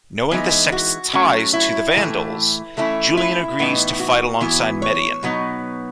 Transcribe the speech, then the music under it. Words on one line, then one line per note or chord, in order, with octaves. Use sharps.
Knowing the sect's ties to the Vandals, Julian agrees to fight alongside Medion.
E3 G#3 B3 D#4
F#4
F#3 A3 C#4
E4
A2 E3 A3
E3 A3 C#4 E4
E4
A2 E3 B3 D#4
F#4
E3 B3 E4
C#5
B2 F#3 B3 D#4